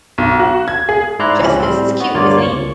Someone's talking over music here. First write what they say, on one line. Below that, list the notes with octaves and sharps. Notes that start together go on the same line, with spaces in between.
Justus is cute, isn't he?
B1
F#4
G#6
G#4
G#2 E4 D5 A#5 C6 F#6
C#2 E3 F3 C#4
A2 G3 C4
B3 F#4
D2 G2 A#3 F4 C#5 D5
C#2 C#6